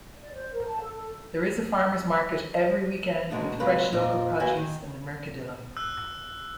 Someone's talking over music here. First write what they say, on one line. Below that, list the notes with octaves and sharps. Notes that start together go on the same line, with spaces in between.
There is a farmers market every weekend with fresh local produce in the Mercadillo.
D5
C5
A#4
A5
A4
A4
D2 B2 G#3 A3 D4 D#4
C3 F#3 G#3 F4 B4
F2 A#2 C4 D#4
D#2 D#3 F#4 B4 E5 G#5
D#3
E6 F#6